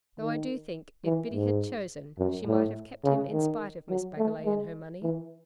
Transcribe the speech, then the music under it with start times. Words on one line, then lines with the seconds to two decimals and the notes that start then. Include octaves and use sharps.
Though I do think if Biddy had chosen she might have kept him in spite of Miss Bagalay and her money.
0.20 D#3
1.05 E3
1.33 G#2
2.19 F#2
2.47 A2
3.04 C#3
3.33 D#3
3.89 F#3
4.18 A3
4.46 G#3
5.03 E3